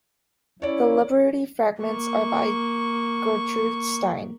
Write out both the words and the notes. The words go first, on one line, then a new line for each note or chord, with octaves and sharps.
The libretti-fragments are by Gertrude Stein.
C#4 E4 C#5 D5
A#3 C#6